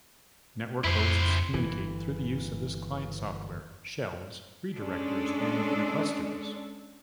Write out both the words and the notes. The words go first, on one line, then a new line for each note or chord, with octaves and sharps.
Networks Hosts communicate through use of this client software: Shells, Redirectors and Requesters.
F2 E4 C5
G1 E3
G#3 C#4 D4 A4